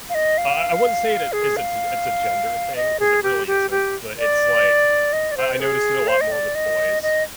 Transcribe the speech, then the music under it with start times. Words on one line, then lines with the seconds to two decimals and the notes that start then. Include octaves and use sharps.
uh, I wouldn't say it it is a t it's a gender thing 'cause it really isn't, but it's like, I I noticed it a lot more with boys,
0.09 F5
0.15 D#5
0.38 F5
1.33 G#4
1.57 F5
2.76 D#5
3.00 G#4
3.23 G4
3.47 G4
3.71 G4
4.19 D5
5.13 D#5
5.32 D5
5.37 C5
5.60 G#4
6.08 C5
6.21 D#5
6.32 D5
6.55 D#5
7.03 D#5